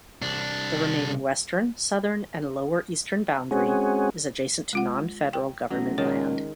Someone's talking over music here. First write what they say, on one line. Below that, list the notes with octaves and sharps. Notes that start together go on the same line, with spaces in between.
The remaining western, southern, and lower eastern boundary is adjacent to non-federal government land.
C2 D4
G#3 C4 C#4 F#4 G#4
G#3 F4 F#5
G5
A1 F#3
C#2 D#3 G#3 C#5